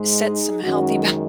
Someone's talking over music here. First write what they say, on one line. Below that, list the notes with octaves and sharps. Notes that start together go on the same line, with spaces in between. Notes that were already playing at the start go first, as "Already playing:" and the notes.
set some healthy boun
Already playing: G#2 G#3
D#4 G#4
F#2 D#3 G#3 C#4 F#4